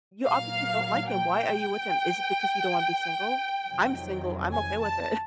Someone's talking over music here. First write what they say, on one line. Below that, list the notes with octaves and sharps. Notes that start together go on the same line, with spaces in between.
"you, obviously, don't like him. Why are you with him? Is it because you don't wanna be single? I'm single, I'm okay with it.“
A#2 F#3 A#3 F5
G5
F2 C3 D#3 F#3
G#5
A5